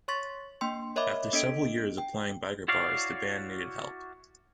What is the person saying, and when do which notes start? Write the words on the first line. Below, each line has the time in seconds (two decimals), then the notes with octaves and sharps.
After several years of playing biker bars the band needed help.
0.08 C#5 C6 C#6 A6 B6
0.61 A#3 D4 G5 C6 C#7
0.96 A#4 C#5 D#5 E5 B5 D6
1.33 B3 D4 A4 D#5 B6 D7
1.98 G5
2.68 E4 F#4 C#5 D5 F5